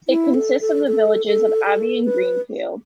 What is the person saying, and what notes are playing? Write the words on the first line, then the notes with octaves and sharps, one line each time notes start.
It consists of the villages of Aby and Greenfield.
E4
A4
A4
A4
A4
A4
B4